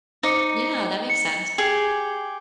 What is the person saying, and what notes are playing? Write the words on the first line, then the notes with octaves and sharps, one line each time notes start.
Yeah, that makes sense.
D#4 C5 D6 C#7
C#7
G4 G#4